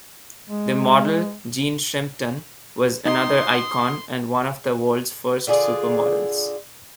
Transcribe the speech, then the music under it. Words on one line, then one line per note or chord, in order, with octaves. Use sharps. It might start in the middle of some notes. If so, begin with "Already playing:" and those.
The model Jean Shrimpton was another icon and one of the world's first supermodels.
G#3
D#4 C6 D#6
D3 F4 G#4 D5